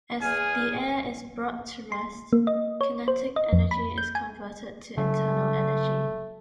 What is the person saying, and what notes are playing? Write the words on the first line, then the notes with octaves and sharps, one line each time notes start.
As the air is brought to rest, kinetic energy is converted to internal energy.
E2 G#4 G#5 F6
C6
A#3
D#5
C#5
C5
D#5
F2
B5
G6
G#5
C#3 F#3 A3